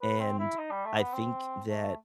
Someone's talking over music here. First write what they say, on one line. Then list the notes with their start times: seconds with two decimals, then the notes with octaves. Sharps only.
and I think that
0.01 B4
0.20 C4
0.39 E4
0.58 D#4
0.71 G3
0.85 A3
0.99 B3
1.13 C4
1.69 A3